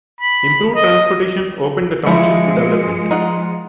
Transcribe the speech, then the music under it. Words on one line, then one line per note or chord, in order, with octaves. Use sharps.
Improved transportation opened the township to development.
B5
D#5
F3 G#3 E4 E5 C#7
D#4 F4 F#5